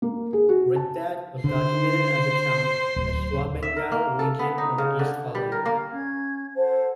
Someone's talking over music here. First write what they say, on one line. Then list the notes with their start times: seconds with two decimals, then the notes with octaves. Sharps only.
Rikdag was documented as a count in the Schwabengau region of Eastphalia.
0.02 A#3
0.33 G#4
0.49 F#4
0.76 A5
1.44 D3 C5 C7
2.96 D1
3.63 E5
3.76 A#4
3.92 A#3
4.19 A4
4.39 B3
4.58 D#4
4.78 C#3
4.99 D3
5.35 G3
5.52 A#4
5.66 A#3
5.91 C#4 G#6
6.56 A4 C5 F#5 A5